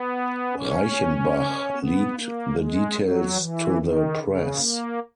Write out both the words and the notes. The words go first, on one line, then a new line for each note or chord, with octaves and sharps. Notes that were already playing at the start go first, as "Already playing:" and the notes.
Reichenbach leaked the details to the press.
Already playing: B3
C#4
B3
A#3
G#3
F#3
E3
D#3
C#3
A#3